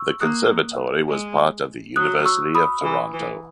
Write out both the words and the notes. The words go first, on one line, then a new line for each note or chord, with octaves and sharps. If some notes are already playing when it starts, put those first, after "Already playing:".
The Conservatory was part of the University of Toronto.
Already playing: C#6 E6
A#3 D#6 F#6
G#3
F#3 D#6 F#6
C#6 E6
B5 D#6
E3
E3